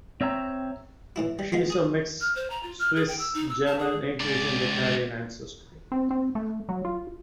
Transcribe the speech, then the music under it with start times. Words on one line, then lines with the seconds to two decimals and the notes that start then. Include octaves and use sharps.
She's of mixed Swiss, German, English, and Italian ancestry.
0.21 C4 C#5 E5 G5 A#5
1.16 A2 E3 E4
1.39 G3
1.52 G#3 B3 F4
1.70 G#4 D#6
2.21 F6
2.36 C5
2.50 A#5
2.63 F4
2.79 F6
2.96 G#4
3.08 G5
3.19 E6
3.34 D#4
3.49 E6
3.66 A5
3.79 G#4
4.20 C#2 D5
5.92 C4
6.11 C4
6.35 A3
6.69 F#3
6.85 F4